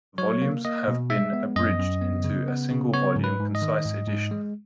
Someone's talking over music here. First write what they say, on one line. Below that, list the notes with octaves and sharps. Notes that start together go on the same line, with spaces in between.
The volumes have been abridged into a single-volume, concise edition.
F#3 C#5
A#3
A#3 D#5
B2
G#3 E5
B3
F#2 D#5
F#2
B3
C#3
B3
C#3
B3 C#5
G#2
B4
G#2
D#5
D#3
G#2
G#2
G#3